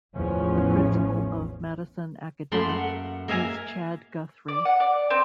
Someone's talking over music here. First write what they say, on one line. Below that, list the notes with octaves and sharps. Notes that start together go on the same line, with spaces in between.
The principal of Madison Academic is Chad Guthrie.
A1 E2 F3 C#4
F#2 A3 A#3 B5 C6
F#5
A#3 E5 F5 G#5 A#5
D5
F#5
D5
C4